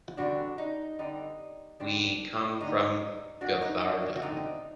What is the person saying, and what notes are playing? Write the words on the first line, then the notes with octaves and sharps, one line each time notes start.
We come from Gavarda.
D3 G3 C4 D4 F#4
D#4
D3 G3 C4 D#4
D3 G3 C4 D4
D3 G3 C4 D#4
D3 A3 C4 D4 F#4
D#4
D4 F#4
D4
F#4
D3 A3 C4 D#4